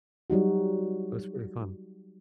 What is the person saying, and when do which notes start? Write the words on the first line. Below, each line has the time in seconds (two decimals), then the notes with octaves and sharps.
It was pretty fun.
0.30 F#3 G3 D#4 F#4